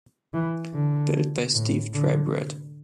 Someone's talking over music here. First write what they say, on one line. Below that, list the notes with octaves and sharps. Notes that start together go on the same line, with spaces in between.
Built by Steve Drybread.
E3
D3
A2
D3